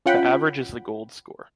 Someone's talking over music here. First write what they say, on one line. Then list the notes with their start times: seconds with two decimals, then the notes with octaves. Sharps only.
The average is the Golde score.
0.06 C#4 F4 F#5 G5 B5